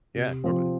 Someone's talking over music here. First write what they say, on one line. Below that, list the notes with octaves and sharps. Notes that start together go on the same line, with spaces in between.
Yeah, totally.
C3
F3 C4